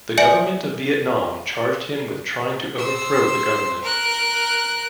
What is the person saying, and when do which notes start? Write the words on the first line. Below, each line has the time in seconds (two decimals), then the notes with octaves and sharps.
The government of Vietnam charged him with trying to overthrow the government.
0.18 D5 E5 G#5 C#7 D7 F#7
2.78 C5 E6
3.82 A#4 F#6